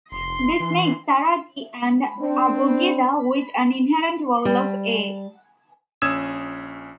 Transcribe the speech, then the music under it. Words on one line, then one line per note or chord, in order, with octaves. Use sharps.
This makes Sarati an abugida with an inherent vowel of "a".
F1 C6
E3
C4 D4
G3
A#1 C#4 D#6 E6 G#6 E7